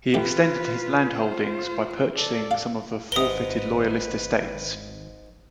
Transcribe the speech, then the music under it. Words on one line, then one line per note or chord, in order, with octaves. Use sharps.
He extended his land holdings by purchasing some of the forfeited Loyalist estates.
A1 F4 G4 B4
F4 C5
A4 D5
F5
G#1 G#2 A#4 B4 D#6 G7